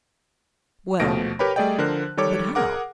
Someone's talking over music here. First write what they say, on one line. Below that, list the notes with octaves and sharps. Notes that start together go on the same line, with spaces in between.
"Well; but how?"
D#2 B2 F3 A3 A#6 D7
G4 A#4 B4 C#5 G5 B5
G3 A3 G#4 D5 D#5 G5
D3 F3 A#4 C5 F#6
D#3 G3 A4 C#5 D6
G#4 A#4 F#5 D6